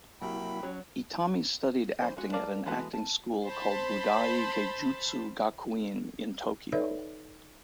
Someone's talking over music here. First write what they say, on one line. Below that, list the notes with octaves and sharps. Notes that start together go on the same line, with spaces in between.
Itami studied acting at an acting school called Budai Geijutsu Gakuin in Tokyo.
C2 F#3 A#3 E4 G5 B5
F#3 C#4
E3 F3 C5
G#3 F#4
A#4 D5 F5 A5
E3 G#3 A3 B3 F#4
A5
C5 A5 B5
D#4 A4 B4 C#5 D5 E5